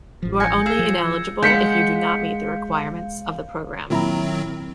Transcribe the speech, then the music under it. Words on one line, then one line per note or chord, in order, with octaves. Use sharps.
You are only ineligible if you do not meet the requirements of the program.
A1 F3
G#5 G6 A#6 C#7
G#4 F5 E6 G#6 E7
F3
E6
G#3 F5 F#5 G6 B6 C#7
A#2 D#3 F#3 C4 E4 A#5